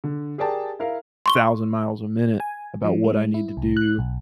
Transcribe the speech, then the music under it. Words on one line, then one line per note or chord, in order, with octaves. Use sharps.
thousand miles a minute about what I need to do,
D3
G4 G#4 A#4 D5 G5 A5
E4 A#4 F5
C6 C#6 G7
G#5
F3
G#3
E4
C2
F#6
B1